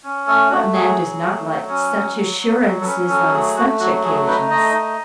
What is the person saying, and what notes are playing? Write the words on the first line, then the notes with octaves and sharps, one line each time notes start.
What man does not like such assurances on such occasions?
C#4
A3 A4
A3 F#4
F#3 G#4
F#3
A3
F#3
C#4
F#3
F#3
F#3
F#3
A4
C#4 B4
F#3 A4
A4
A3 G#4
G#4
A3 F#4
F#3 F#4
A3 G#4
D#4 B4
A3 D#5
D#4